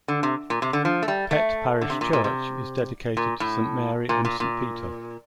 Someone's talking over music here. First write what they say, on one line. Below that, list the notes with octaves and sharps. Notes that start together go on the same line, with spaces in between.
Pett parish church is dedicated to Saint Mary and Saint Peter.
D3
C3
A#2
C3
D3
F3
A3
G3
A3
D3
C3
A#2
A#2
C3
A#2
A2
A#2
A#2
A#2